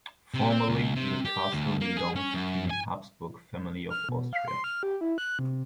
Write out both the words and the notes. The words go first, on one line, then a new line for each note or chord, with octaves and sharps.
Formerly the castle belonged to the Habsburg family of Austria.
C3
C4
C#2
C3
G4
D2
A#3
G#4
C#4
F#2
G#5
F6
B2
F5
C6
F6
G4
E4
F#6
C3